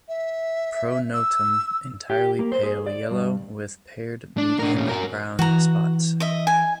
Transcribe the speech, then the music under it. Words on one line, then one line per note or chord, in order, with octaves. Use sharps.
Pronotum entirely pale yellow with paired median brown spots.
E5
E6
G4
A#3
C5
G#4
D5
G2
D4
D4 A#4
A#2 C#4
F#4 A#4
E3 F#4 A#5
D#5 E5
G#5